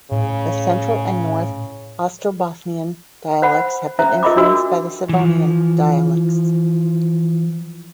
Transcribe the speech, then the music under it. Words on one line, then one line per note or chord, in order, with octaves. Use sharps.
The Central and North Ostrobothnian dialects have been influenced by the Savonian dialects.
A2 C#3
C5 F#5 B5
C#4 C5 E5 A#5
F4 A#4 D#5 E5 B5 D6
D4 F#4 E6
E3 F3